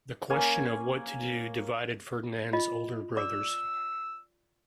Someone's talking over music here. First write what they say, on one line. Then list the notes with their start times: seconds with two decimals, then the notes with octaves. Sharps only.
The question of what to do divided Ferdinand's older brothers.
0.30 A#3 C#4 G#5
2.53 F4 D#5
3.17 D5 D6 E6